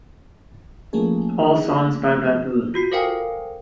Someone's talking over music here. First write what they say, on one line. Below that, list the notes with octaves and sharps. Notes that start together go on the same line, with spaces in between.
All songs by Baboon.
F3 A3 A#3 C#4 G#4
F4 F#4 C7
A4 A#4 C5 F5 G5 G#5